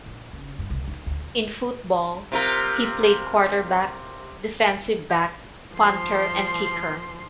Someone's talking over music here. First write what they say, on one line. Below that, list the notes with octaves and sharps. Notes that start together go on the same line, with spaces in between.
In football, he played quarterback, defensive back, punter, and kicker.
A#1
F#1
G2
C2
D#4
D2
C3 F4 A#4
F3 C6